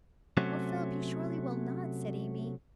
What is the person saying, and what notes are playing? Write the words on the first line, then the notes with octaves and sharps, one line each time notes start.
'O Philip, you surely will not?' said Amy.
C3 F#3 A3 C#4